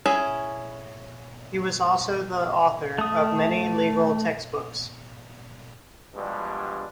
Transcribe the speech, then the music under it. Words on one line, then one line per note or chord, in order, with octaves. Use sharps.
He was also the author of many legal textbooks.
C#4 E4 G#4
A3 D#6
G2 B2 F3 G3 G#3 D4